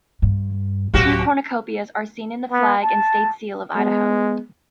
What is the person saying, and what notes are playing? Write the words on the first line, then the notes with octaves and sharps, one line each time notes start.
Two cornucopias are seen in the flag and state seal of Idaho.
G2
D1 C3 F#3 F#4 G4
B3
A5
G#3 B3